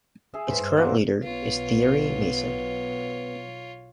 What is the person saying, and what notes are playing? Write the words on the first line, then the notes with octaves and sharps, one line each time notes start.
Its current leader is Thierry Meyssan.
G#4 E5
E2 A2 B4 C5
G2
A#3 C4 F#4
B1 B3 F4 C#5